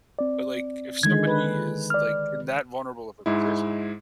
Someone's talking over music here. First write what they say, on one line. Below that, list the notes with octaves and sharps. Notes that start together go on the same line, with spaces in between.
but like if somebody is like in that vulnerable of a position
C4 D5
D3 D#3 G#3 G#6
B4
D5 F6
G#2 G#3 E4